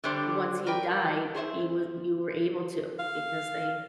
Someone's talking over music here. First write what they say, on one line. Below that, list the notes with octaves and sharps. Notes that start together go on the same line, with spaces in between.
once he died, he was you were able to because they
D3 G3 D4 C5 D5
A#4 B4 D5 G5
G#4 C5 C#5 E5
F5